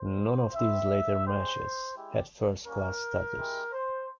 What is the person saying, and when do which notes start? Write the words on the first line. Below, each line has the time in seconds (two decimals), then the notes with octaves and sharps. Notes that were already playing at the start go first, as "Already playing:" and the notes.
None of these later matches had first-class status.
Already playing: C5
0.54 C4 E4 G4 E5
1.25 G#3 C#4 G4 C5
1.96 G#3 E4 G4
2.66 G3 A#3 C#4 A#4
3.36 G#3 E4 G4
3.73 C5